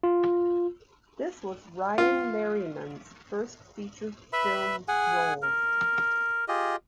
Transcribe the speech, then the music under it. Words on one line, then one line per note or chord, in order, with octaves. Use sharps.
This was Ryan Merriman's first feature film role.
F4
F4
B4 E5 B5
G#4 F#5 G#5
A#4
F4 G4 G#4 D#5